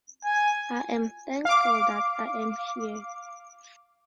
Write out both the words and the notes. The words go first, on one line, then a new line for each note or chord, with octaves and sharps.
I am thankful that I am here.
G#5
F5 D6